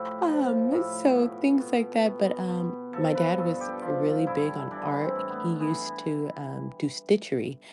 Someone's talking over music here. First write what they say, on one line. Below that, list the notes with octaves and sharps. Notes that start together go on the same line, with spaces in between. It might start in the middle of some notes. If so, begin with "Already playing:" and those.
um, so things, like that but, um, my dad was really big on art, he used to, um, do stitchery,
Already playing: A2 F3 G4
F3
A2
B2
B2
B2
B2
F3 A4
B4
G2 A4
G4
F3 F4
G2 E4
E3 D4
C4
A2
B3
E3 B3